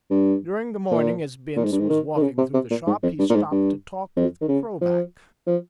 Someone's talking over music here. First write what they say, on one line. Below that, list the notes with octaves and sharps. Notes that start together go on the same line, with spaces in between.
During the morning as Bince was walking through the shop he stopped to talk with Krovac.
G2
A#2
A#2
G#2
G2
G#2
D#3
D#3
C#3
C3
C3
A#2
G#2
F2
G2
A#2
G#2
G2
F2
D#3
C#3
F3
F3